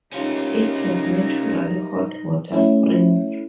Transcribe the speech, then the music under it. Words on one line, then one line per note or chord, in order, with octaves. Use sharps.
It has natural hot water springs.
D2 A#3 C#4 D#4 F4 G4
A3 C#4 E4